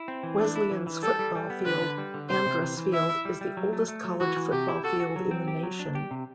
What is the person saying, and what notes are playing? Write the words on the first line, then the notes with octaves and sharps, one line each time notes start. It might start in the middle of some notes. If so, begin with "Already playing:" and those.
Wesleyan's football field, Andrus Field, is the oldest college football field in the nation.
Already playing: E4
C4
E3
A3 D4
E4
E3
E3
G3 A4
G3
G3
B3
D3 B4
D3
G3
D3
C3 C5
C3
E3
E3
E4 E5
E4
G3
G3
F#3
A3
A3
F#3
E3 F#4
E3
C3 G4
E4
F#4 A4
F#4
F#3
C4
G4
F#3
D4
G4
C3